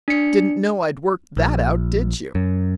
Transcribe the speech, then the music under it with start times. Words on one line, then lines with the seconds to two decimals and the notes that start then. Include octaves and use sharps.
Didn't know I'd worked that out, did you?
0.08 D4 C#7
1.37 A#1
2.35 F#2